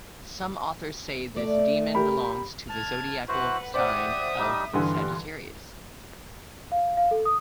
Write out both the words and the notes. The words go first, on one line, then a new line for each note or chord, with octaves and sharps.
Some authors say this demon belongs to the zodiacal sign of Sagittarius.
A3 D5
G4 A#4 B5
A5 F6 G#6
E4 F#4 B4 C5 F#5
G4 C5 D5 E5 F#5 D#6
G3 D#4
G2 D3 E3 F4
F5
F5
A4
D#6